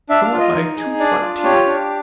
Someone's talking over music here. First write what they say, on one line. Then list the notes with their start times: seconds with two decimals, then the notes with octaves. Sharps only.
Pull out my two front teeth!
0.09 D4 E5
0.24 F5
0.32 F4
0.40 D#5
0.54 D#4
0.77 G#4
0.99 D4 D5
1.22 F4
1.44 G4 C#5
1.67 D4